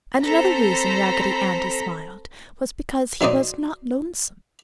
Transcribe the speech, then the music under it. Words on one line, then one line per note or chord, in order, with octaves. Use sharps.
And another reason Raggedy Andy smiled was because he was not lonesome.
C4 A4 C5 A#5 B5 B6
F#3 D#4 C5 D5 D#5